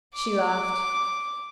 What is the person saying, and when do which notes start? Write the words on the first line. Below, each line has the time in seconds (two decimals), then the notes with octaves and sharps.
She laughed.
0.16 D6